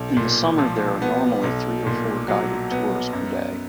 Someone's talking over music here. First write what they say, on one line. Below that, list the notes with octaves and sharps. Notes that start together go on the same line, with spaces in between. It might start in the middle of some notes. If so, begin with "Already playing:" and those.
In the summer there are normally three or four guided tours per day.
Already playing: B1
A#2
F3
B3
B1
A#2
F#3
B3
F#2